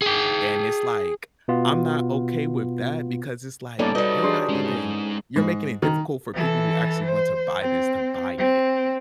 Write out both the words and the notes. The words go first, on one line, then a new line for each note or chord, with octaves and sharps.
and it's, like, I'm not okay with that because it's, like, "You're not even you're making it difficult for people who actually want to buy this to buy it,
G#4 G5
B2 B3 F4
G3 A#3 B3 C#4 D#4 F4 A4 D5
G3 D#4 F#4 B4 C#5 D#5
D4 G#4 D5 C6
G#3 C#4 D#4
G#2
D#3
E3 A4
C5
C4
C4